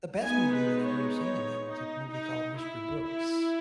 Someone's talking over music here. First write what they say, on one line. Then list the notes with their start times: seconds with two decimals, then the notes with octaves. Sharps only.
the best movie that I've ever seen in man was a movie called Mr. Brooks.
0.22 G#3 B3 D#4 G#5
0.54 B4
0.86 C#5
1.17 C#5
1.65 D#4
2.11 D#4
2.59 E4
3.06 E4